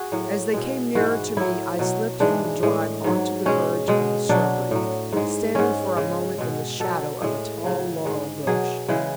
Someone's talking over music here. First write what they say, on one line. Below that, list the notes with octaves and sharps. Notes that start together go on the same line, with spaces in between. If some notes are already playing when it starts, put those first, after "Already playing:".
As they came nearer to me, I slipped from the drive on to the verge of the shrubbery, standing for a moment in the shadow of a tall laurel bush.
Already playing: F#4 G#4
A2 F#3
B2 G#3
G#2 E3 G#3 F#4
A2 F#3 E4
B2 F#3
G#2 E3 G#3 D4
A2 G#3
G#2 F#3
B2 G#3 C#4
B2 G#3
B2 F#3 D4
A2 F#3
G#2 G#3
G#2 G#3 C#4
C#3 G#3
B2 G#3
B2 F#3 A4
A2 G#3
C#3 F#3
G#2 G#3
B2 F#3 G#4
C#3 E3 G#3